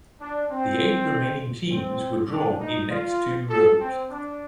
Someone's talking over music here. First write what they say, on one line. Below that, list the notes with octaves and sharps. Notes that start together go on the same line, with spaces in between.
The eight remaining teams were drawn in next two rows.
D4
C4
C4
D4
D#4
F4
A4
C4
D4